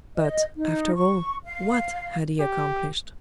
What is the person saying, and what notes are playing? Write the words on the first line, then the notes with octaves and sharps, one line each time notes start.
But, after all, what had he accomplished?
D#5
D#4
C#6
F5
G4